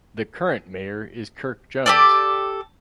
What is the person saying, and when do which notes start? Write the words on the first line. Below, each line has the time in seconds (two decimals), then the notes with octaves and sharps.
The current mayor is Kirk Jones.
1.86 G4 A4 D5